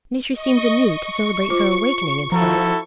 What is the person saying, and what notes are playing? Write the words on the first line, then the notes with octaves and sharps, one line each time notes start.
Nature seems anew to celebrate her awakening into life.
D#5 C#6
C#6
F4 C5 D6
F3 E4 F#4 A4 A#5